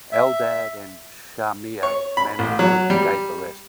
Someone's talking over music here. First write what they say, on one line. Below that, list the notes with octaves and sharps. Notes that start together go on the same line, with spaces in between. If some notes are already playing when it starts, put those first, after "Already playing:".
Eldad and Shamir managed to escape arrest.
E5
C#5
B5
A1
F#3
G3